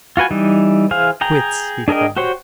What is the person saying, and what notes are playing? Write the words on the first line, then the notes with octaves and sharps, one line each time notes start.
"Quits!" he cried.
F4 F#4 B4 G#5
E3 G3 D#4
E3 G#4 C5 F5
G#4 G5 A#5
D4 G#4 A#4 D#5 G5
F#4 G4 C5 C#5